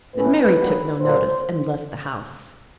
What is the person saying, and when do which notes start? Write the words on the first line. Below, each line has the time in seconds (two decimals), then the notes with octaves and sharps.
But Mary took no notice, and left the house.
0.16 A2 E3 A3 C#4 B4
0.59 D#2 D3 F#3
1.01 A#2 F#3 A#3 D4 C5